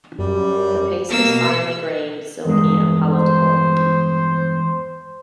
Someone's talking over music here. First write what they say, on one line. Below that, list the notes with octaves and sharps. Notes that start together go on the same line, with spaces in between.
The paste is finely grained, silky and palatable.
F#2 G3
B2 A#3 E6
E2 G2 G#3
C5